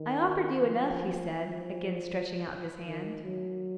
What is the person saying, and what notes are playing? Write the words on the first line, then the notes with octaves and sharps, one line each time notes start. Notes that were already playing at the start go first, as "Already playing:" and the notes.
'I offer you enough,' he said, again stretching out his hand.
Already playing: D#3
F3
F3
D#3
F#3